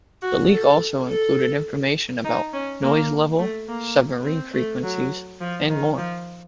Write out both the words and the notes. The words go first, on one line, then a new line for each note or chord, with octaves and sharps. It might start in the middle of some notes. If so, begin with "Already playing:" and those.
The leak also included information about noise levels, submarine frequencies and more.
F#4
A4
A4
D#4
C#4
A#3
A3
A#3
C4
A3
F#3
F3
D#3
F3